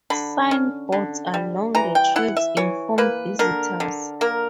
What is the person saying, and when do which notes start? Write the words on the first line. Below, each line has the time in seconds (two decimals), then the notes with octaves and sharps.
Signboards along the trails inform visitors.
0.10 D3 B5
0.51 C#4
0.92 D3
1.34 G3
1.75 E3 A#5
1.95 G5
2.16 E4 F#5
2.37 E5
2.57 E3 C#5
2.98 A#3 B4
3.39 D3 A#4
3.80 D3
4.21 A#3 A#4